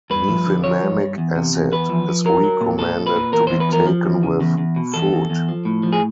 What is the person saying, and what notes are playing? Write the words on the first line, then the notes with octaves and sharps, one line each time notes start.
Mefenamic acid is recommended to be taken with food.
G2 B4
F3
D3
F3 C#5
G2
G2
E2
C3
E2
E2 B4
F3
F3
F#3 A#4
F#3
A#2
A#2 A4
A#2
B4
A#2
E2 A#4
E2 C5
B4
F3 A#4
F3
E2
C#3
E2
E2
B2
E2 A4
E2
E2
F3
A2
F3
G#4